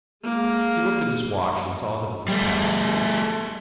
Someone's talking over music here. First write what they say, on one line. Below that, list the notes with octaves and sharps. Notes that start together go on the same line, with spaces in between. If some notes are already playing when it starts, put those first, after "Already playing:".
He looked at his watch and saw that it was past two.
G#3 A#3
G3 A3